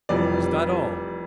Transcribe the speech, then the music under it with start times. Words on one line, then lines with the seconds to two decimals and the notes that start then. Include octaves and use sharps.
"Is that all?"
0.09 F1 F2 E3 G3 D5